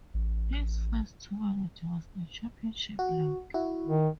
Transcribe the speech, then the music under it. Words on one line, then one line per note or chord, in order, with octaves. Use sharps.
His first tournament was the Championship League.
A1
F#4
E4 F#4
D#3